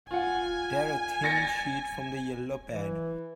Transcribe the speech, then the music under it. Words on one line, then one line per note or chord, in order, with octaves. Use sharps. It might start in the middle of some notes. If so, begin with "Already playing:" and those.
Tear a thin sheet from the yellow pad.
F4 F#5 G#5
A6 A#6 C#7
E3